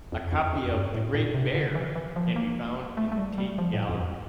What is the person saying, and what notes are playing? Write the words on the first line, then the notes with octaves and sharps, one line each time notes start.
A copy of "The Great Bear" can be found in the Tate Gallery.
F2
F2
F2
G2
A2
A#2
C3
D3
E3
E3
F3
A#3
A3
A3
G3
G3
F3
A2
F2